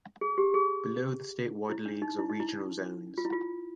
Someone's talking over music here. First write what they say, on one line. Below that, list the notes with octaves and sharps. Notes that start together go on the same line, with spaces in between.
Below the state-wide leagues are regional zones.
G#4
G4
G#4
E4
D4
D#4
E4
D#4
E4
F4
E4
F4